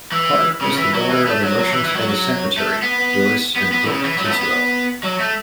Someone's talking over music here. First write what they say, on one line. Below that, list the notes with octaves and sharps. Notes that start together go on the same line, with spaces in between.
Park was the daughter of a merchant and a secretary, Doris and Brooke Tidswell.
E3
C#3
E3
F#3
E3
A3
F#3
F#3
E3
E3
F#3
F#3
A3
B3
B3
B3
E3
C#3
E3
F#3
A3
B3
B3
F#3
A3